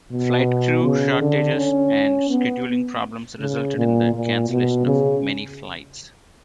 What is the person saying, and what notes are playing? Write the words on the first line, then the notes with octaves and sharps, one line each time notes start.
Flight crew shortages and scheduling problems resulted in the cancellation of many flights.
B2
C#3
D3
C#4
B3
C#3
A#2
A#2
B2
C#3